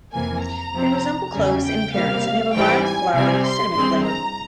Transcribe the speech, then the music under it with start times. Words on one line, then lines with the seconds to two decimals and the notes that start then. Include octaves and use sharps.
They resemble cloves in appearance and have a mild, flowery cinnamon flavor.
0.13 F2 C3 E3 A#3 G#5
0.43 A#5
0.73 C3 F3 C4
1.33 E2 C#3 G3 G#5
1.64 G5
1.94 C3 G3 A#3 F5
2.54 G#2 E3 G3 C4 G5
2.84 G#5
3.14 C3 G3 C4 G#5
3.45 C6
3.75 G2 E3 G#3 C4 C6
4.05 A#5